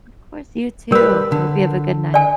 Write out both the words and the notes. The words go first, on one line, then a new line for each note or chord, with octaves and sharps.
Of course, you too! I hope you have a good night.
G3 A#4 B4
D3
D5 G#5